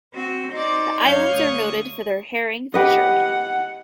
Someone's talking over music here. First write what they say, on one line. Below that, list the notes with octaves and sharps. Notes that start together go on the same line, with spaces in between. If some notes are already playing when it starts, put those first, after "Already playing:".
The islands are noted for their herring fishery.
C4 F#4
D#4 C5 D5
F#2 C#5 F5 G6 G#6
D2 C#6 D#6
G4 B4 D#5 F#5